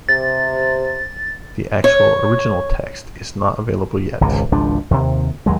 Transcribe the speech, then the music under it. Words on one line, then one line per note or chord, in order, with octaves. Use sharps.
The actual original text is not available yet.
C3 A6
C#5
G#1 C#2 C3
G#1 C#2 F3 D4
D#2 C3
D#2 F#3 G#3